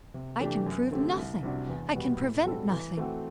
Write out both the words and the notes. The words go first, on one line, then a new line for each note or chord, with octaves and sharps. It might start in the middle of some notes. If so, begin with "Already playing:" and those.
I can prove nothing, I can prevent nothing.
C3
E3 A3 D4 G4
F#2
D3 A3 C4 G4
C2
C3 G3 D4 F#4
E2
B2 G3 B3 F#4
A2
G3 C4 F#4 A4
E3
A3 C4 F#4 A4